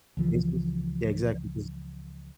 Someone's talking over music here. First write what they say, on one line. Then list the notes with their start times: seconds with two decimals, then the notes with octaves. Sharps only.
this is Yeah, exactly, 'cause
0.17 C#2 E3 F3